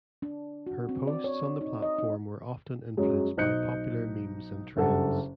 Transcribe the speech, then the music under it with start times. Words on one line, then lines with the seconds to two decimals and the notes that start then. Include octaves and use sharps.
Her posts on the platform were often influenced by popular memes and trends.
0.22 D4
0.67 F#4
0.89 C4
1.07 D5
1.24 C#5
1.61 D#4
1.82 D#5
1.99 D#4
2.97 F#2 F#3 G#3
3.37 B1 D#4 C5 F#6 G6 C#7
4.77 F#1 G2 A4 F#5